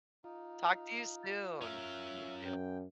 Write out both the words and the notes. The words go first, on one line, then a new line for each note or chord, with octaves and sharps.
Talk to you soon. You too.
D#4 F4
C#4 A#4 E5
F#2 G5